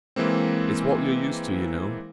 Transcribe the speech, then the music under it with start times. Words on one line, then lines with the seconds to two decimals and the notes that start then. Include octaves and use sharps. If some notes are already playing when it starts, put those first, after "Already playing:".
It's what you're used to, you know.
0.16 E3 G#3 A#3 C4